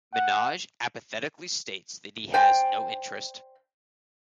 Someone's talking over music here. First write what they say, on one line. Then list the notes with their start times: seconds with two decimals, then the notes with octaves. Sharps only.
Manoj apathetically states that he has no interest.
0.13 F#5
2.34 C5 D5 G5 G#5